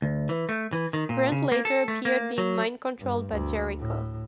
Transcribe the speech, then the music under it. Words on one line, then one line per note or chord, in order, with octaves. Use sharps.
Grant later appeared being mind-controlled by Jericho.
D2
E3
A3
E3
D#3
A#2
C#3
A#3
A4
A3
A#3
F#3
G2
D2
A2